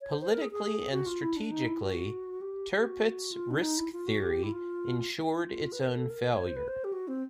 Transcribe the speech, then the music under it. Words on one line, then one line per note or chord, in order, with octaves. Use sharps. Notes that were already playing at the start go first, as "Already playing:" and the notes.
Politically and strategically, Tirpitz's Risk Theory ensured its own failure.
C#5
C5
C5
A#4
G#4
G#4
F#4
F4
E4
D4
D#4
E4
F#4
G4
G4
F#4
F4
D4
D#4
E4
F4
F#4
G4
E4
F4
E4
F4
B4
A#4
A4
A#4
C#5
C5
B4
C5
G4
F#4
C4